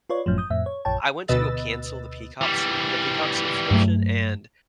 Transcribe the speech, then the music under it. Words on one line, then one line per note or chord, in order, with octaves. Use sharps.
I went to go cancel the Peacops the Peacock subscription, and
F4 B4 C#5 D5
G1 F#2 A2 F3
D#6 G6
F2 A2 E5
C#5
A#1 F#2 C#5 G5 A5
D2 B2 B4 D#5 E6 A6
E3 G3
G2 F#3 A3